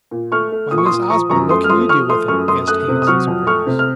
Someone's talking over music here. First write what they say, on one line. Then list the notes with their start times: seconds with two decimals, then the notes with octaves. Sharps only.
"Why, Miss Osborne, what can you do with them?" asked Haines, in surprise.
0.11 A#2
0.32 A3 C#6 F6
0.52 A3
0.71 A#2 D#6
0.78 C#6
0.86 C6 D#6
0.91 A#2
1.10 F3 A#5 C#6
1.30 F#2 A#5 C#6
1.49 A3 C6 D#6
1.64 F6
1.70 F3 C6 D#6
1.89 F3 C#6 F6
2.09 A3 C6 D#6
2.28 F#2 C#6 F6
2.48 F#2 C6 D#6
2.68 A3 D#6 F#6
2.88 C3
3.02 D#6
3.07 F#3 C#6 F6
3.27 F2
3.46 A3 C#6 F6
3.67 C3
3.79 F6